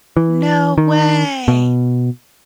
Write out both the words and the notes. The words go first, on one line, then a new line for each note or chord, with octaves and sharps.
No way.
E3
D#3
B2